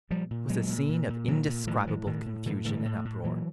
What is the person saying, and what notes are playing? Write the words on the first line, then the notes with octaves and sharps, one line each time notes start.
It was a scene of indescribable confusion and uproar.
A#2 F3 G3
A#2
A#2 F#3 G#3
A#2
A#2
A#2
A#2 E3 F#3
A#2
A2 D#3 F3
A2 D#3 F3
A2 D#3
A2
A2 D3 E3
A2 D3 E3
A2
A2
A#2 E3 F#3